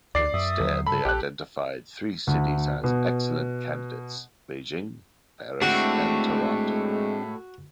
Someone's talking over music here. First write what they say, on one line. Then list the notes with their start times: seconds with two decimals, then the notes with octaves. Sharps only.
Instead, they identified three cities as excellent candidates; Beijing, Paris, and Toronto.
0.15 D2 D5 C7
0.33 F#2 E5 D#6
0.60 D#2 D3 F#3
0.87 G2 C#3 A4 B5
1.05 A#1 G4 F#6
2.27 D2
2.84 B2
5.62 A2 G#3 A3 C4 D4 F#4